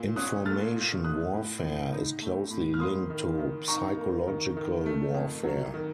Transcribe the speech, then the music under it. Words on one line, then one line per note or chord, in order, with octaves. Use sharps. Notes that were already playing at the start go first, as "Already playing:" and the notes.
Information warfare is closely linked to psychological warfare.
Already playing: A#2
C#4 D#6 F#6
A3 F6 A6
A#2
A3 D#6 F#6
A2
A2
D#4
A3
A2
F6
A#3 C6 D#6
D#3
D#3
D#4 A#5 C#6
A#3
D#3
D#3
A3
F2
F#3
D#3